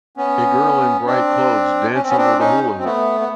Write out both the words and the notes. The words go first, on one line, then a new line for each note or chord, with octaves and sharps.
A girl in bright clothes dancing with a hula hoop.
B3 C#4
C4 D4
C#4
C4
B3 C#4
C4 D4
C#4 D#4
C4
A3 B3
B3